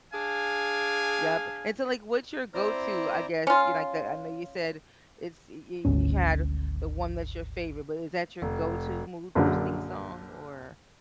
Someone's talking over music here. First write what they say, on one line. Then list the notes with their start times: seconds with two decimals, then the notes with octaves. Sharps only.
yep. And so, like, what's your go to, I guess, you like that I know you said it's y y you had the one that's your favorite, but is that your go to mood boosting song, or?
0.12 D4 G#4 F5 G#5
2.54 C4 E4 C5 D5 A#5
3.47 C#4 F4
5.85 G#1 D2 G#2 C#4
8.42 F1
9.35 A#1 F#2 D3